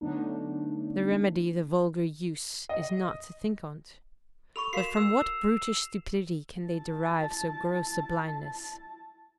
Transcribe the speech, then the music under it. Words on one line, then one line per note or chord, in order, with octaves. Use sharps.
The remedy the vulgar use is not to think on't; but from what brutish stupidity can they derive so gross a blindness?
D3 F#3 A3 B3 D4 D#4
D#5
A4 B5 C#6 F7
F#4 A#4 F5 C7 E7
E6
E4 A5